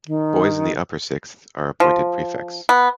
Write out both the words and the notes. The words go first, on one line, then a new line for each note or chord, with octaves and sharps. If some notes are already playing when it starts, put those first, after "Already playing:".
Boys in the upper sixth are appointed prefects.
D#3
F3
B3